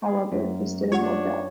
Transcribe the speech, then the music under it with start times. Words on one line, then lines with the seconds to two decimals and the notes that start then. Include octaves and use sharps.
However, this didn't work out.
0.03 G#4
0.32 F#2 A#3
0.92 D4 F4 G4 C#5 F#5